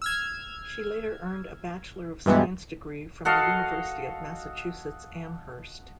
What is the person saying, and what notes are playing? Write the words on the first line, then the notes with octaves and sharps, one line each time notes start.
She later earned a Bachelor of Science degree from the University of Massachusetts Amherst.
E6 F6 G#6
G2 B2 E3 G3 G#3 B3
F#4 A4 D#5 F5